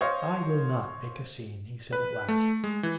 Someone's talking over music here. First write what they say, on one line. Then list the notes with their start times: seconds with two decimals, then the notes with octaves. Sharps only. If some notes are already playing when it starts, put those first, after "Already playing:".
'I will not make a scene,' he said at last.
0.01 C5 C#5 D#5 F5
1.93 B4
2.28 A3
2.64 G#3
2.83 E3